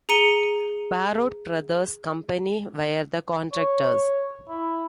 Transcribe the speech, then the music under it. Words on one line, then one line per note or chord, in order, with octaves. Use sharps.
Parrott Brothers Company were the contractors.
G#4 A#5 C#7 D#7 G7
C#5
E4